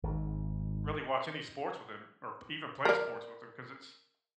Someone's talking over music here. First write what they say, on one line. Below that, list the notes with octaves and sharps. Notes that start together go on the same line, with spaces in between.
really watch any sports with them, or p even play sports with them, 'cause it's
G#1 G#2
A#4 D5